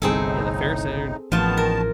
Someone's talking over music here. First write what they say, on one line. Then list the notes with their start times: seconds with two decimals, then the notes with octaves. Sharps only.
Yeah, the fair sar
0.02 G1 C2 A2 C4 D#4 G#4 A4
1.32 A1 D#3 F3 B3 F4 A5
1.57 A#4